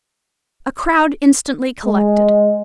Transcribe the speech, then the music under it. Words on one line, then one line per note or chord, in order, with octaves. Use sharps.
A crowd instantly collected.
G#3